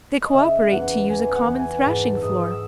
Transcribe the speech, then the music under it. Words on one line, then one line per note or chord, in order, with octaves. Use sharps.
They co-operate to use a common thrashing floor.
D#5
C#3 E5
E2 F#5
E2 G#5
F#5
E2
G#5
G#2 A5
E6
G#2 D#6
E6